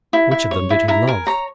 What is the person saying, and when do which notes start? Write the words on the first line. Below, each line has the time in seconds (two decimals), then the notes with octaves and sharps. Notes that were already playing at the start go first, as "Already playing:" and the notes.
Which of them did he love?
0.13 E4
0.31 E4
0.51 C#5
0.70 E4
0.88 E4 A#5
1.07 A#4 G#5
1.27 C#5 A#5